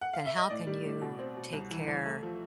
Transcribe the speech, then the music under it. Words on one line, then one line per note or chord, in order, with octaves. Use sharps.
then how can you take care
F#5
F5
E5
D#5
A2 D5
G3
A2
B2
C4
B2
C2
E3
C2
A3
F3